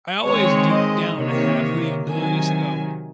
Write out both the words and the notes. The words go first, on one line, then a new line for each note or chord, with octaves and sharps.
I always, deep down, have the ability to go,
D#3 G#3 C4 C#5
D#5
C3 D#3 A#3 C#5
C3 D#3 F#3 G#5